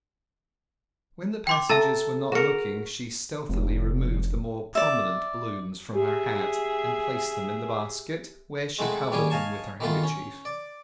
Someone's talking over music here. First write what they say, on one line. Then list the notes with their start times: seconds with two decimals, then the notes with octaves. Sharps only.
When the passengers were not looking she stealthily removed the more prominent blooms from her hat and placed them in the basket, where she covered them with her handkerchief.
1.47 G5 C6 D6
1.69 A4 E5 A5 A#5
2.32 F#4 G#4 A#4 C#7
3.49 F1
4.75 D5 E5
5.95 G4 G#4 E5
8.79 G#3 A3 C4 D#4 E4 F#5
9.12 D#2 G3 C#4 G#4 G#5
9.30 C#5 D#5 F5 G#5 A5 C#6
9.80 D#3 E3 A3 B3 F4
10.04 C#4
10.45 D5